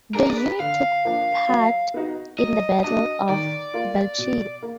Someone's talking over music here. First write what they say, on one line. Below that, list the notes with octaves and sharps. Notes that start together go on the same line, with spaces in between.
The unit took part in the Battle of Belchite.
D4 G#4 A#4
D5
B4
D3 F5
F3 A#3 D4
F#3
B3 D#4 F#4
F#3 D#5
D4 F#4 D#5
D#3 D5
A#3 F4
B2
A#3